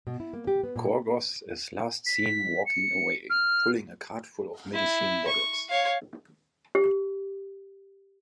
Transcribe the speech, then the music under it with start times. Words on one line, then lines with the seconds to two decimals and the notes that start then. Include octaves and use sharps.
Korgoth is last seen walking away, pulling a cart full of medicine bottles.
0.07 B2
0.20 E4
0.33 A#3
0.47 G4
0.63 B3
0.76 A#2
2.06 B6
2.66 C#7
3.30 F6
4.74 E4
5.28 C#6
5.69 C#5 F5
6.75 G4